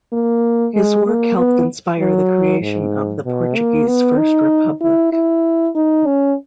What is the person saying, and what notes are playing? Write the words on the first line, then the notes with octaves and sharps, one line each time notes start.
His work helped inspire the creation of the Portuguese First Republic.
A#3
G#3
A#3
B3
F#3
G#2
B2
A#3
B3
D#4
E4
E4
D#4
C#4